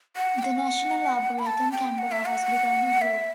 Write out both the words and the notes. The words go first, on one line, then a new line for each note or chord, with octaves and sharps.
The National Arboretum Canberra has begun a grove.
F#5
G5
F#5
B5
A5
G5
F#5
E5
F#5
E5